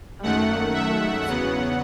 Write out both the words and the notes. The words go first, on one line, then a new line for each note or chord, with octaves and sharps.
Oh, that's right.
F#2 D#3 A3 F#5
E5
E2 C#3 F#3 B3 F#5